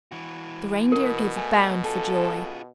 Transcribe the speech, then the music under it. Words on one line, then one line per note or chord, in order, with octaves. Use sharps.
The Reindeer gave a bound for joy.
E3 F#4
B2 A#4
A3 G#5
F4 G#4 A4